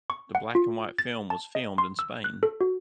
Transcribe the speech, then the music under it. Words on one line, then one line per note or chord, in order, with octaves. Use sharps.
The black-and-white film was filmed in Spain.
C#6
F#5
F4
A6
A5
D#5
C6
E6
F#6
A4
F#4